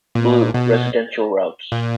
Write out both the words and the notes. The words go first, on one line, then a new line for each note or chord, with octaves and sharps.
Blue: Residential Routes.
A#2
B2
A#2